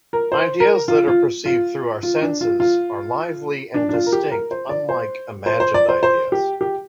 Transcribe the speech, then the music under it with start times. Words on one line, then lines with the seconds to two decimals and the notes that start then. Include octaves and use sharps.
Ideas that are perceived through our senses are lively and distinct, unlike imagined ideas.
0.13 A#4
0.32 C5
0.60 A#4
0.88 F4
1.08 F4
1.46 F4
2.03 F4
2.22 D4
2.41 F4
2.60 F4
3.74 D4
3.89 D4
3.94 F4
4.06 A#4
4.13 G4
4.32 A#4
4.51 C5
4.69 D5
4.89 C5
5.46 C5
5.60 C5
5.74 D5
5.89 C5
6.03 C5
6.32 G4
6.61 G4